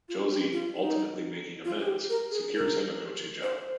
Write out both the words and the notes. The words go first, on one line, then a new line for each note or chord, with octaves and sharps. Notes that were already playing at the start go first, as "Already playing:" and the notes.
Josie, ultimately making amends, secures him a coaching job.
F4
G4
F4
D#4
F4
G#4
G4
A#4
G#4
A#4
C5